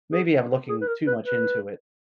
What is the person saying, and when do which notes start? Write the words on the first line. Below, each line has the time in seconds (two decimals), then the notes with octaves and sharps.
Maybe I'm looking too much into it.
0.12 G#4
0.69 G#4
0.81 B4
0.87 A#4
1.07 B4
1.25 B4